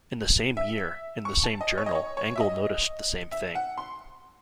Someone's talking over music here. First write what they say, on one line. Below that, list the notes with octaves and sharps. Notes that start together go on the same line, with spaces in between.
In the same year, in the same journal, Engel noticed the same thing.
E5
C#6
A5
D#5
C#5
D#5
C#5
C#5
E5
D#5
E5
F#5
C6